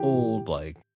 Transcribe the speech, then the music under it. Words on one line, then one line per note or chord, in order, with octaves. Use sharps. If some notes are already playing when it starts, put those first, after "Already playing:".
old, like,
Already playing: E3 G4
A2